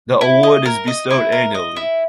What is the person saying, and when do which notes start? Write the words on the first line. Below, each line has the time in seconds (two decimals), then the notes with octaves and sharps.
The award is bestowed annually.
0.21 E4
0.43 D#5
0.66 A#4
0.88 D#5
1.10 E4
1.32 A#4
1.55 D#5
1.76 E4